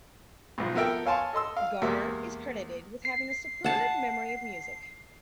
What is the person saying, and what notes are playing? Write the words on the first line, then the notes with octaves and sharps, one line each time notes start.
Garner is credited with having a superb memory of music.
B1 G#2 F3
F3 B3 A4 A#4 E5 G5
C#5 F5 G#5 A5 C6
A4 D#5 C6 E6
F5
E2 G#3 A#3 G4 E5
C7
F#5 A5